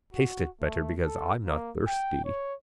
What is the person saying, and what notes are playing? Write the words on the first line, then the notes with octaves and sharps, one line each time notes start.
Taste it better because I'm not thirsty.
F#4
A3
A4
A#3
G5
C#5